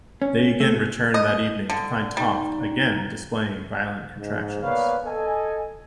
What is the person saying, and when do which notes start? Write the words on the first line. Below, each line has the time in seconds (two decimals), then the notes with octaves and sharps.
They again returned that evening to find Toft again displaying violent contractions.
0.22 C#4
0.60 A3
1.14 D#5
1.70 D3
2.17 G3 D#4
4.18 G#2
4.63 A#3 B3 B4 C#5 D5 F5
5.05 A4 D#5 G#5